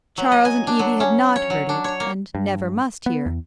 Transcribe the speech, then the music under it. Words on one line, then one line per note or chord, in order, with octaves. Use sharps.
Charles and Evie had not heard it, and never must hear.
F#3
D#5
G#5
D4
F#3
C#4
C#5
F#3
D4
C#5
A#3
G2
B3
E2